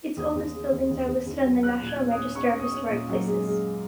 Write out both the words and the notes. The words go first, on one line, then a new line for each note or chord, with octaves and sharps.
Its oldest buildings are listed on the National Register of Historic Places.
D#2 D#6
D#2
C#3
D#2
D#2
D#2
D#2
F#3
C#4 F#6
A#2
G#6
C#4
D#6
C#4
C#4 C#6
C#4
D#6
C#4
A#2
F#2
G#3
G#3